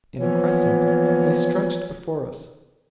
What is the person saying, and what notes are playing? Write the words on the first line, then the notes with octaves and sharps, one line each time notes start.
In a crescent, they stretched before us.
E3 F3 A#3 B3 F4 C#5